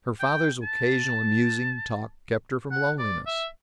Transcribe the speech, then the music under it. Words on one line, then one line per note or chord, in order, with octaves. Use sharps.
Her father's occasional musing talk kept her from loneliness.
G5
A5
F#5
D5
E5